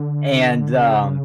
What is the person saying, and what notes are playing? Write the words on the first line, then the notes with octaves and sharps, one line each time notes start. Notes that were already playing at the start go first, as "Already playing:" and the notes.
And, um,
Already playing: D3
C#3